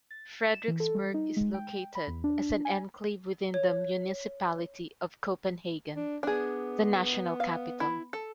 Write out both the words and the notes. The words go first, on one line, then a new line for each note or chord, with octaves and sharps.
Frederiksberg is located as an enclave within the municipality of Copenhagen, the national capital.
A6
E7
E3
A4
G3
D#4
G#3
G5
B5
E2
D4
G#5
C#5
D4
B3 D4 G#4
F5
E4
A4